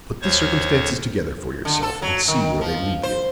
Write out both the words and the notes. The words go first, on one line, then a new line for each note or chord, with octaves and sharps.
Put the circumstances together for yourself and see where they lead you.
D#2 C5 C#5 C#6
D3
A4
F#3
D#3
F3
C5